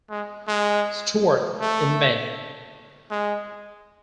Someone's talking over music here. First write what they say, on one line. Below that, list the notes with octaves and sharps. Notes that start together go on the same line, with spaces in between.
Stuart in May.
G#3
G#3
A3
G#3